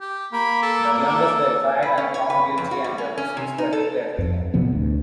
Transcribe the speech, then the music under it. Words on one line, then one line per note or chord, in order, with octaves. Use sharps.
The members were tried and found guilty and their seats were declared vacant.
G4
A#3 B5
A4
A4
B4
C#4
C#5
B4
F2
F#4
G3
C#4
C#4
C3
D#4
A4
F2
A2 C3 F3 B3
D2